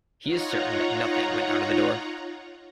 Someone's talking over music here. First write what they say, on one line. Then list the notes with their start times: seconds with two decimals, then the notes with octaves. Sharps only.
He is certain that nothing went out of the door.
0.22 D#4 F4 C#5 F#5 A#5